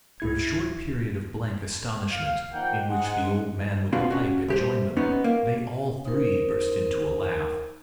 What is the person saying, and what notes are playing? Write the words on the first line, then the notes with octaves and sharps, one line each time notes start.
After a short period of blank astonishment, in which the old man with the pipe had joined them, they all three burst into a laugh.
C#2 E4 G#6
F5
D#3 F3 A#3 F#5 G5
G#2 G#3 F#5
B2 B3 C4 D4 F4 F#4
C#4 F#4
C2 G4 C5
B3 C#4 D#4
A#3
D#4 A#4 C5